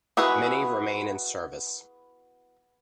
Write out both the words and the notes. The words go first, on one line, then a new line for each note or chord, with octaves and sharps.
Many remain in service.
B3 E4 F#4 G#4 B4